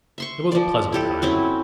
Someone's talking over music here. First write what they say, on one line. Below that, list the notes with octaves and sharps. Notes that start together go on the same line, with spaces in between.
It was a pleasant time.
E5 C6 C#6
F3 D5
E4 G4 A4
F#3 C4 C#4 E4